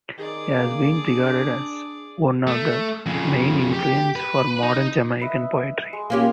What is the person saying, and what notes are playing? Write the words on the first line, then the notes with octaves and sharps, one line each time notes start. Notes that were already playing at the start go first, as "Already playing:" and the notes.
He has been regarded as one of the main influences for modern Jamaican poetry.
D#3 G#4 D5
A#3
D4
A3
F2 C#3
G4
B4
D#4
B4 D#5 E5
G#3
A#3 C#4 F4 G4